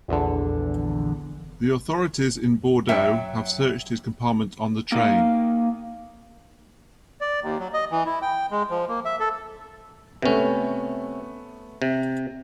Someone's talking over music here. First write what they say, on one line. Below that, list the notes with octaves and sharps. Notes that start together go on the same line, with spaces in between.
The authorities in Bordeaux have searched his compartment on the train.
A#1 E2 D3
F#2 F#3 E5 G5
A#3 D#4 F5
D5
D#2
F#3
D#5
E3
E4
G5
G#3
F3
A#3
E5
A4
C3 A3 B3 C#4
C3